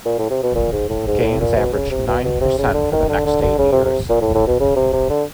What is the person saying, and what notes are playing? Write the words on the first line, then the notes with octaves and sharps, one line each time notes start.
Gains averaged nine percent for the next eight years.
A#2
A2
C3
B2
A#2
G#2
A2
G#2
A2
A#2
B2
C#3
C3
B2
B2
C3
C#3
D3
D#3
D3
D3
D3
C#3
C3
C3
A#2
A2
A2
B2
C#3
C3
C3
D3